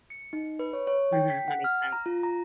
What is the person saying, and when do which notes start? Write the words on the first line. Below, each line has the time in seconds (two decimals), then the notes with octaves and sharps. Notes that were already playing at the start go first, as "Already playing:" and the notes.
Mhm, that makes sense.
0.10 C#7
0.33 D#4
0.59 B4
0.73 C#5
0.87 C#5
1.13 G5
1.30 B6
1.48 F#5
1.64 F6
1.92 A#5
2.06 F4
2.23 A#5